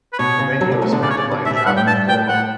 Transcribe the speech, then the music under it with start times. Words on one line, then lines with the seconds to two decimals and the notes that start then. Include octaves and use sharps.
The venue was founded by Jacques Corbo.
0.13 B4
0.19 B2 C#5
0.39 C#3
0.61 D3 F#3
0.71 B2 D3
0.82 F#3 A3
0.92 B2 D3
1.02 C#3 D5
1.10 C#5
1.17 C#3 D5
1.31 B2 D3
1.45 B2 D3 E5
1.51 C#3
1.55 B2 E5
1.66 G2 F#5
1.77 A2 G5
1.87 G2 A5
2.08 A2 G5
2.29 A2 F#5